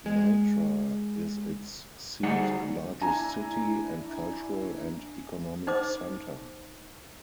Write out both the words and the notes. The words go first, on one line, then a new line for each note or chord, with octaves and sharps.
Nitra is its seat, largest city, and cultural and economic center.
G#3
D2 G3 D#4 G#4 F#5
D4 E4 G#5 A#5
D#4 C5 D6